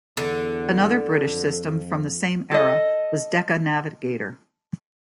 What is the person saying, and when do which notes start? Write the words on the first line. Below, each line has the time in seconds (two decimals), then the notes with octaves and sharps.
Another British system from the same era was Decca Navigator.
0.17 E2 D3
1.27 F2
2.51 A4 D#5